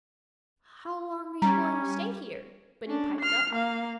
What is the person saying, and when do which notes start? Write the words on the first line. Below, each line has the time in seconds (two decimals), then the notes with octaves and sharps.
"How long you going to stay here?" Benny piped up.
1.42 G3 C#4 A#5
2.86 C#4 D4
3.20 F6 C7
3.53 A#3 F5